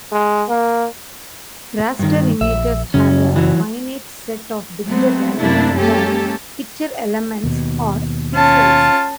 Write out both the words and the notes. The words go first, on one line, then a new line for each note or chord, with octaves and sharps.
Raster images have a finite set of digital values, called "picture elements" or pixels.
G#3
A#3
G2 D#3
A#1 E5
F#2 C#3 C#4
E3 F#3
F#3 G#3 A3 B3 C4
F#2 C3 A3 A#3 D4 E4
G#3 A#3 C#4 G4 A4
D#2 B2
C#4 F4 A5